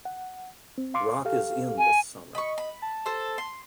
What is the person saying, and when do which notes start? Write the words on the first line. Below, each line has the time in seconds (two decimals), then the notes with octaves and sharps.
Rock is in this summer.
0.05 F#5
0.78 C4
0.94 F5 C6 D6
1.25 G4 A4 F5
1.78 G#5
2.35 D#5 B5 C#6
2.58 B5
2.82 A5
3.06 A4 C5
3.38 C6